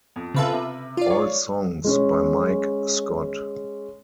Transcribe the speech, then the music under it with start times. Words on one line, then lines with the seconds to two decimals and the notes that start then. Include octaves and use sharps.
All songs by Mike Scott.
0.16 F2
0.34 C#3 C4 F4 A4 B4 E5
0.53 C3
0.97 F4 D5
1.10 C#5
1.84 G#3 C#4